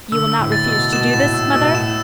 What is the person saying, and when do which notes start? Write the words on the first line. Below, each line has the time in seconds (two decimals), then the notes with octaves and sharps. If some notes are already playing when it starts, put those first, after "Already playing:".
You will not refuse to do this, mother?'
0.12 D3 E6
0.32 E6
0.39 A2
0.52 A6
0.66 B2
0.72 A6
0.93 B2 E7
1.13 A2 E7
1.34 A2 E6
1.53 B2 E6
1.74 A2 E7